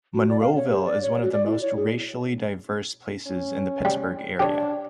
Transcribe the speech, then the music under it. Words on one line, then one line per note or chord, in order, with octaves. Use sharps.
Monroeville is one of the most racially diverse places in the Pittsburgh area.
F#4
D5
F5
C#5
G4
D5
C#5
F#4
D5
E4
C#5
G#4
C#4
G3
D4 G4 C#5